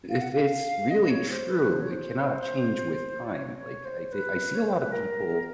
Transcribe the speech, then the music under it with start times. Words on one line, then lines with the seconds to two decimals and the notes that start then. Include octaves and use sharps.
if it's really true, it cannot change with time, like, I d I see a lotta people
0.09 F5
0.21 F#5
0.32 F5
0.90 D#5
1.09 C#5
1.30 C5
1.50 B4
1.70 C5
1.80 C#5
1.91 C5
3.24 D5
3.31 C#5
3.57 C#5
3.85 C5
4.11 B4
4.54 C#5
4.67 C5
4.79 B4
4.92 A#4